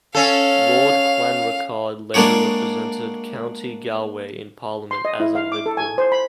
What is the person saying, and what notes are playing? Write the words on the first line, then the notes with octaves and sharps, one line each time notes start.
Lord Clanricarde later represented County Galway in Parliament as a Liberal.
C#4 A4 F5
G#3 A#3 D4 F#4 C#5
C6
D#5
E4
F5
D6
A4
G#5
C5
B5